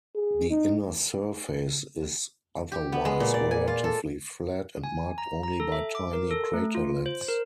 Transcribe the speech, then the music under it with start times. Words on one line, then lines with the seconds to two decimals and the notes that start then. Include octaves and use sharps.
The inner surface is otherwise relatively flat and marked only by tiny craterlets.
0.15 G#4
0.50 D#4
2.72 G4
2.92 B3
3.05 G#3
3.20 A#2
3.34 D5
3.51 G#5
3.68 F4
3.84 A4
4.84 G#5
5.18 A#5
5.43 A#5
5.60 A4
5.72 E5
5.95 D6
6.13 A#4
6.31 A4
6.54 A3
6.75 F4
7.06 C5
7.28 A#4